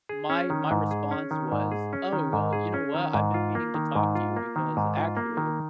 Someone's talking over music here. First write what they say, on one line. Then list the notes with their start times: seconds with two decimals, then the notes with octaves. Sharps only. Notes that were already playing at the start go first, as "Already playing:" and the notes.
my my response was, “Oh, well, you know what? I've been meaning to talk to you because, actually,
0.09 G#4
0.30 C#4
0.50 D#3
0.71 G#2
0.91 G#4
1.11 C#4
1.31 D#3
1.52 G#2
1.71 G#4
1.93 C#4
2.13 D#3
2.33 G#2
2.53 G#4
2.74 C#4
2.94 D#3
3.14 G#2
3.34 F4
3.55 A#3
3.74 D#3
3.95 G#2
4.15 F4
4.36 A#3
4.56 D#3
4.77 G#2
4.97 F4
5.17 A#3
5.37 D#3